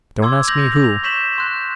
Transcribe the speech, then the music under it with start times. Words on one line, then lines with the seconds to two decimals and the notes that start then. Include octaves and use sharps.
Don't ask me who.
0.22 C6 D6 E6 G#6
0.48 G6 A#6 F7 F#7
0.84 F7
1.03 C#6 G6 B6 E7 F#7
1.38 C6 F#6 G6